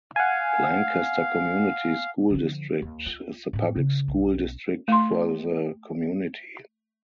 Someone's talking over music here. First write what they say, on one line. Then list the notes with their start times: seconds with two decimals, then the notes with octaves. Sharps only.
Lancaster Community School District is the public school district for the community.
0.16 F5 F#5 G#5
2.30 D3 F3
2.82 D#2
3.06 F4
3.53 A2 C4
3.76 C#3
4.08 B1
4.88 A3 C6